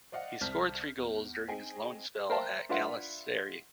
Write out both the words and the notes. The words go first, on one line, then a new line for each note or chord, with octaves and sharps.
He scored three goals during his loan spell at Galatasaray.
C5 D5 D#5 F5 F#5
C2 C4 A5 F6 G6 B6
E2
C4 D#4 G#4 D#5 G5 G#5
A#4 C5 E5 F5 G5 A5
D4 E4 F4 B4 F#5 C6